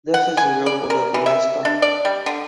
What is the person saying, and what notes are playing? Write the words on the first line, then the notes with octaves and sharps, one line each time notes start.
This is the role of the demister.
F#5
G#5
D5
A#4
E3
E5
D4
D5
G3
D3